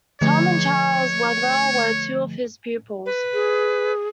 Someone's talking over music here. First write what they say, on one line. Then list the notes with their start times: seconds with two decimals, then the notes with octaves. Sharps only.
Tom and Charles Wetherell were two of his pupils.
0.21 D3 F3 A3 C#5
3.06 B4
3.33 G#4